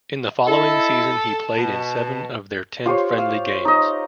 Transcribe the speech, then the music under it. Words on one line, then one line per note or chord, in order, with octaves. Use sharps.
In the following season he played in seven of their ten friendly games.
E4 A4 D#5
A5
B2
F4 G4 C5 C#5
F5
D#4 D#5